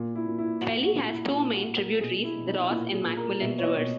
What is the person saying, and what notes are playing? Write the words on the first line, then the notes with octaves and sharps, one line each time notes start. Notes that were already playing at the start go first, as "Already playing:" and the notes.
The Pelly has two main tributaries, the Ross and Macmillan rivers.
Already playing: A#2
E4
A#2
E4
A#2 F#4
F#4
A#2
E4
A#2 E4
F#4
A#2
A#4
B2 G#4
E4
B2
D#4
A#2 E4
G#4
A#2
A#4
B2 E5
C#5
D#5
B2